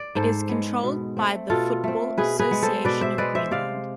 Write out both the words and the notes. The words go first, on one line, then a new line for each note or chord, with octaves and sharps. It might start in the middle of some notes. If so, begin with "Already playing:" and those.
It is controlled by the Football Association of Greenland.
Already playing: D5
G#2 A4 C5
G#3 B3
B2
A3 C4
B2 F4 A4
A3 C4
B2 G#4 B4
G#4 B4
G#3 B3
A4 C5
B2 B4 D5
C5 E5
G#3 B3 B4 D5
C5 E5
C3 D5 F5